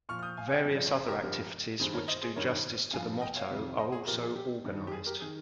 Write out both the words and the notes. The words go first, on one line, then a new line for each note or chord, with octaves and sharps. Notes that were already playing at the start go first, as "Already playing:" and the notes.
Various other activities which do justice to the motto are also organized.
A#2 F3 C#6 F6
F6
D#6 G6
F5 G#5
G#5
D#5 G5
G2 F3
C#5
G#4 C5
G4 A#4
G2 F3 G4 A#4
G2 D#3 G#4 C5
A#4 C#5
C5 D#5
G#4 C5
G2 D#3 A#4 C#5
G2 F3 F5 G#5
D#5 G5
C#5 F5
F2 C3 D#3
C5 D#5
G#4
A#2 F3 G4 A#4
G#4
G4
G2 D#3
G4
G#4
G4 A#4
D#3 G#4